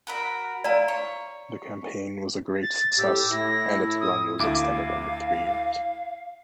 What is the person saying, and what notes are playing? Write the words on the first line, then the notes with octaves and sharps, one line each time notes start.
The campaign was a great success and its run was extended over three years.
F#4 A#4 B5
E4 F4 D5 A#5
C#5
A6
A2 G4 E6
A2 E4 A#6
D#6
D2 E4 F5 D6